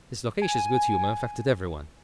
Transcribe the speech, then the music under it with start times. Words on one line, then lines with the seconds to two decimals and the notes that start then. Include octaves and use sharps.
His loquacious good-humour infected everyone.
0.42 G#5